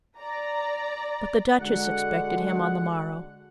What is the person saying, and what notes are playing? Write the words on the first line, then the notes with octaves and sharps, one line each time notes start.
But the Duchess expected him on the morrow.
D5 A#5
D3 G#3 F#4 F#5